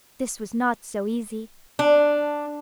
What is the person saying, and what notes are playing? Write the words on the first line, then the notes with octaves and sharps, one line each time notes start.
This was not so easy.
D4